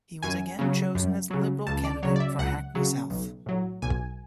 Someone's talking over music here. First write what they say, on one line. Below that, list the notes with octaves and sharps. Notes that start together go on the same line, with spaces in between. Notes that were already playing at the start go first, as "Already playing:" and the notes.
He was again chosen as Liberal candidate for Hackney South.
F#2 G#5
C#3 F#3
F#2
C#3 F#3
C#2 A5
D5
C#3 F#3 C#5
D5
E5
C#2 F#5
C#3 F#3
B1
A2 F#3
B1 G#5